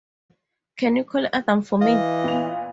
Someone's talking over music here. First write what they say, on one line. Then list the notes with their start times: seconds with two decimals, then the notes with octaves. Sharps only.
Can you call Adam for me?
1.81 E3 D#5 F5
2.24 A#2 B3 F7